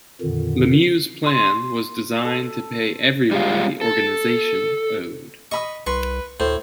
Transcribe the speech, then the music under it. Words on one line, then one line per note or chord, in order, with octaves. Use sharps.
Lemieux's plan was designed to pay everyone the organization owed.
F2 A#2 D3 D#3
C6
A4
G3 G#3 F4
A4
D#5 B5 C#6 D#6
C2 B4 C6 C#6
D2 A2 C5